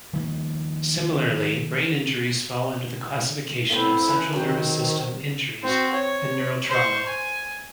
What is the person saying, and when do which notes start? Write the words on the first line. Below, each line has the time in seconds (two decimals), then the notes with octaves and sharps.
Similarly, brain injuries fall under the classification of central nervous system injuries and neurotrauma.
0.13 D#3 F3 G3 A#3
3.70 A3 B3 C4 E4
4.06 D3 E3 F3
4.33 D#3 F#3 C4
5.63 C4 F#4
5.94 C#5
6.69 C5 C#6
7.06 G#5